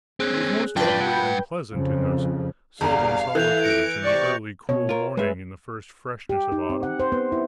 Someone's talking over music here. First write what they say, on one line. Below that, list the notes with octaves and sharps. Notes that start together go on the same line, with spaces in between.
It was most lovely and pleasant in those sylvan solitudes in the early cool morning in the first freshness of autumn.
C4 C#4 G#4 F#6
F#2 D4 F4 B4 F5 G5 A5
G2 F#5
F2 C#3 F3
G1 E2 G2 D3 D5 F5 A#5
E3 E4 A4 F#6 G6 F7
F#6 A#6 C#7 D7
C3 D5 C#6
B2 C#5
F4 A#4
G#3 G#4 B4 E5
G4
D#4
C4
F#5
C5
B3
E4